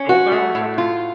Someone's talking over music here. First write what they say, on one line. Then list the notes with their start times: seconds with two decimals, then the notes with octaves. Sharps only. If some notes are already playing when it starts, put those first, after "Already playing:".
old now or something.
Already playing: C#4
0.09 F#4
0.32 A3
0.55 A2
0.78 F4